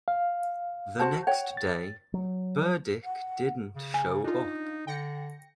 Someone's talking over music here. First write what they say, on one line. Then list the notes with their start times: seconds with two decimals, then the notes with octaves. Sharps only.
The next day, Burdick didn't show up.
0.08 F5
1.00 F#4 C5 A5
1.27 C#5 F#5 G5
1.57 A6
2.14 F#3
3.03 F#5
3.75 C#3
3.94 G#5
4.24 D4 D#4 F4
4.87 D3 G5 A#6 C#7